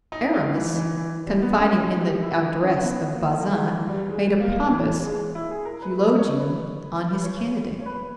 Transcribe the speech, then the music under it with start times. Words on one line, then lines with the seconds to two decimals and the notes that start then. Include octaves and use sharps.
Aramis, confiding in the address of Bazin, made a pompous eulogium on his candidate.
0.12 D#4
0.34 D#4
0.54 E3
0.75 E3
0.96 E3
1.26 G3
1.42 B3
1.58 C#4
1.79 D#4
2.00 G4
2.21 E4
2.41 D#4
2.63 C#4
2.83 B3
3.15 A#3
3.41 A#3
3.47 G#3
3.67 E3
3.88 G3
4.09 G#3
4.41 A#3
4.71 E3
5.03 G#3
5.35 E4
5.51 G#4
5.65 A#4
5.82 B4
5.98 B4
6.18 C#5
6.39 B4
7.12 B4
7.23 C#5
7.81 C#5
7.86 B4